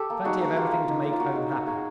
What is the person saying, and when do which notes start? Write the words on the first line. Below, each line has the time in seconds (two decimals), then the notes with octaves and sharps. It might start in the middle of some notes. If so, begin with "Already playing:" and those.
Plenty of everything to make home happy.
Already playing: G4 A4
0.10 A#3
0.25 D#4 F#4 G#4
0.41 A#3 F#4
0.56 A#3 F4 G4
0.72 A#3
0.89 D#4
1.04 A#3
1.13 F4
1.20 A#3 F#4
1.36 D#4
1.51 A#3 F#4
1.66 A#3 F#4 G#4